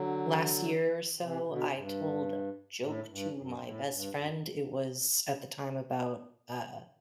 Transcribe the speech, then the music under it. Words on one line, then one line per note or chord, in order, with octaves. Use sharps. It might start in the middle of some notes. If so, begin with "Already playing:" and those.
last year or so, I told a joke to my best friend- it was at the time about, uh
Already playing: D3 F#3
C3 E3
B2 D3
G2
A2
G2
F#2
G2
A2
G2
F#2